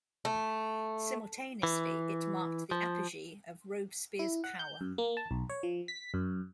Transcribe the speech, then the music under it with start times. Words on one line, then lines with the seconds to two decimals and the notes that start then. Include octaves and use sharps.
Simultaneously it marked the apogee of Robespierre's power.
0.25 A3
1.63 E3
2.71 F3
4.19 E4
4.44 F#5
4.59 G6
4.81 F#2
4.98 A#3
5.17 A5
5.31 B1
5.49 C#5
5.63 F3
5.88 B6
6.14 F#2